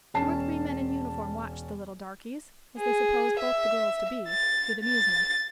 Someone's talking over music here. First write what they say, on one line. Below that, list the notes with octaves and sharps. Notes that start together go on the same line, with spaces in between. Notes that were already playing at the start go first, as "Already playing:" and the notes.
Two or three men in uniform watched the little "darkies," as they supposed both the girls to be, with amusement.
E1 C#4 A5 C7
G#4
E5
A6
A6